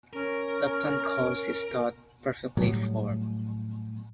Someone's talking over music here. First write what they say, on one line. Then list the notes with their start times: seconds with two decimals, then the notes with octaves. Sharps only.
Lupton calls this thought "perfectly formed".
0.13 C#4 A#4
2.57 A2 F#3 G3